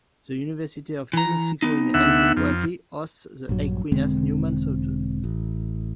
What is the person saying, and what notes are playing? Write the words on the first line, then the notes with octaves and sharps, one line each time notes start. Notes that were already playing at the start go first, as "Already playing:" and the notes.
The University of New Mexico in Albuquerque hosts the Aquinas Newman Center.
E3 A#5
B3 D#4
D2 E5 F#5
F2
A#1 G2 F#3
E1 D3 G#3 C4
A1